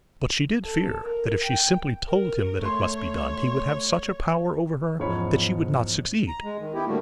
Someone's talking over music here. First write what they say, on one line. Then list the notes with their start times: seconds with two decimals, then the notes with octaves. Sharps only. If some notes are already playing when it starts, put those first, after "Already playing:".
But she did fear that if she simply told him that it must be done, he would have such a power over her that she would not succeed.
0.64 A4
1.02 A#4
1.44 G5
2.08 A#4
2.62 A3 C#5 C6
4.99 E2 G#2 F3 C#4 C#5 B5
6.28 A#5
6.43 G#3
6.59 D#3
6.74 B3 E4 G4
6.86 A2 D3 G3 A3 A#3 F#4